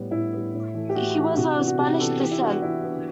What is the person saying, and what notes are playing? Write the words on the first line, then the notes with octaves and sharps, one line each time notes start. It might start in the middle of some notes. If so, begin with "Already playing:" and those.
He was of Spanish descent.
Already playing: A2 G3 B3
A2 E4
G3 B3
A2
E3 A3
G4
A2 F#4
E3 A3
C3 F#4
E3 B3 D4
F#4
C3 G4
E3 B3 D4 A4
E3 G4
E4
B3 D4 F#4
E3 E4
B3 D4